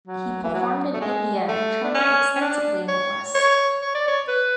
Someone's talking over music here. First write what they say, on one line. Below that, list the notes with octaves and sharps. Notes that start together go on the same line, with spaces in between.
He performed in India and traveled extensively in the West.
F#3
E3
F#3
A3
G#3
A3
D4
C#4
C#4
D4
C#5
C#5
C#5
D5
C#5
B4